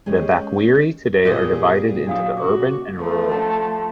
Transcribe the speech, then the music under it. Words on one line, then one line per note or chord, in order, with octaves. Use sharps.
The Bakweri today are divided into the urban and rural.
G#3 C#4 G4 G#4 D#5
A#2 B3 G4 G#4 D#5
F#3 D4 F5 D#6
C#3 F#4 D6
F3 A3
A5